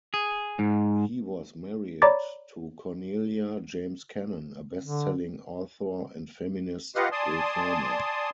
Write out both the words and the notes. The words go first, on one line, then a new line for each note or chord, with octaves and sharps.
He was married to Cornelia James Cannon, a best-selling author and feminist reformer.
G#4
G#2
C#5 D5 A#5 B5 D6 A6
D3
F4 G4 B4 D#5 F5 F#5
D5 G#5 A5 C6 D#6